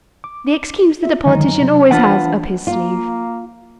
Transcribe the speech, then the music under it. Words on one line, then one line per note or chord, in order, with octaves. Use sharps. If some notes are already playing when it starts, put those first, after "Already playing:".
The excuse that a politician always has up his sleeve.
D6
F4 E5
F#2 D3 D#3 G#3 D#4
C3 F#3
E3 D4 F4 B4 F#5 A5
A#3 F4